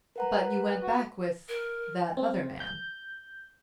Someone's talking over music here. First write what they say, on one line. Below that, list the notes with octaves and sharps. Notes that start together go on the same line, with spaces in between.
"But you went back with--that other man."
A#4 B4 F#5 A#5
F#4
A#4
C4
G6